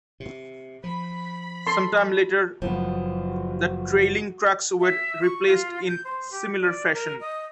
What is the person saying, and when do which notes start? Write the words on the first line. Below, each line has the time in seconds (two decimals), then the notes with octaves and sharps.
Some time later, the trailing trucks were replaced in similar fashion.
0.20 C3
0.84 F3 B5
1.67 A4 C6
2.62 F#1 F3 B3 F#4
4.81 E5
5.22 C#6
5.46 F4
5.88 G6
6.05 C5
6.31 G4
6.60 D5
6.94 A#4
7.20 D#5